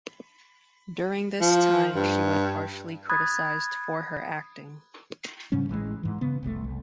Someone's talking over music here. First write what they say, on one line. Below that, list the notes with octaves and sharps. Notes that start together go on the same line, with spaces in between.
During this time, she was harshly criticized for her acting.
F3
G2
B5 D#6 F#6 G#6 A6
G#2 C#3 G3 C#4
A1 E3 F3 G#3
G#2 E3
C#3 B3
F1 C2 B2 A3
C2